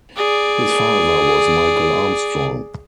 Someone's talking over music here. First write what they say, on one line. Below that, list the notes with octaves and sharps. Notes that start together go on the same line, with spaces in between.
His father was Michael Armstrong.
G#4 D5